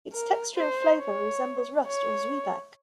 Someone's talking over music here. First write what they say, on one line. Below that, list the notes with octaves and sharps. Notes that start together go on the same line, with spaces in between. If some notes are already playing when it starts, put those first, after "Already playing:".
Its texture and flavour resembles rusk or zwieback.
A#4
C5
C#5
C#5